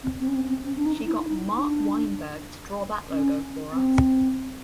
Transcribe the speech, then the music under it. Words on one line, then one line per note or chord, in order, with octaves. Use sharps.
She got Mark Weinberg to draw that logo for us.
C4
C4
C#4
C4
C4
C#4
D4
D#4
E4
D#4
D4
C#4
C4